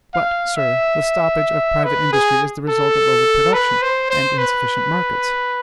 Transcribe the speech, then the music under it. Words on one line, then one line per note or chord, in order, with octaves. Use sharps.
But, sir, the stoppage of private industry is the result of over-production, and insufficient markets.
F5
E5
B4
G#4
A4
B4
C5
C5
B4